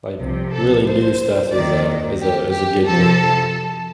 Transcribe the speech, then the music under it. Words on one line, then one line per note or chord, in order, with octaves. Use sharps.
like, really new stuff is a is a is a good thing.
C2 C3 F3
A4
C5
D#2 D#3 D5
G4
G4
F2 C3 F3 A4